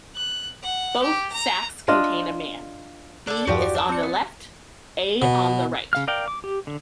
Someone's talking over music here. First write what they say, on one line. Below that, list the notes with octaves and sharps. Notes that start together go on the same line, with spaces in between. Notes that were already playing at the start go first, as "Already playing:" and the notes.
Both sacks contain a man; B is on the left, A on the right.
F#6
F#5
G4
A#5
D4 F4 D#5
D3 A4 D6
E2 G2 F3 F#4 G4 D5
D4 A5
C4 C#7
B3
B2
C#3 F5 F6
A#4 D5 F5 G5
D6
G4
D3